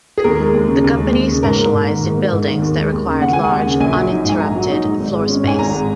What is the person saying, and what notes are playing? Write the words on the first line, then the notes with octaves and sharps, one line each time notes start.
The company specialized in buildings that required large, uninterrupted floor space.
G#4
D#2 A#4
G#3
D#2
C#3
D#2
G#3
D#2
C#3
G#2 A#4
A#3
G#2
D#3
G#2
A#3
G#2
D#3
D#2
G#3
D#2
C#3
D#2 F#5
G#3 G#5
F#5
D#2
C#3
A#1 G#5
F#3
D#4
G#2 G#5
A#1 A#5
F#3
D#4
G#2
G#1
G#3
C#4
G#2 G#5
G#1 A#5
G#3